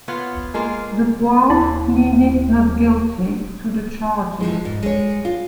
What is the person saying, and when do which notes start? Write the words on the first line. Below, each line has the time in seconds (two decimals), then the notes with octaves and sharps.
The guard pleaded not guilty to the charges.
0.08 B3 F4 C#5 F#5
0.54 G#3 A#3 F4
1.50 D#2 E4
4.41 E3 F3 G#3
4.65 G#2
4.83 G#3 C#5
5.25 F4